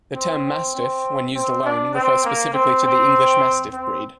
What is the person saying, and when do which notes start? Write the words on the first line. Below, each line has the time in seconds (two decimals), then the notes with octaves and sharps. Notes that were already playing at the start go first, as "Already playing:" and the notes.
The term "Mastiff", when used alone, refers specifically to the "English Mastiff" breed.
0.14 C4
0.45 C4
0.75 C4
1.35 C4
1.64 D4
1.94 C4
2.24 A#3
2.54 C4
2.84 C4
3.73 C4